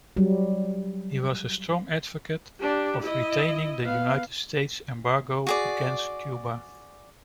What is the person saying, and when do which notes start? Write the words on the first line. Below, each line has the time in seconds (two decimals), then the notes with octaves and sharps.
He was a strong advocate of retaining the United States embargo against Cuba.
0.17 F#3 G3
2.59 D4 G4
3.03 E4 D#5
3.83 B3 F5
5.47 F#4 G#4 D5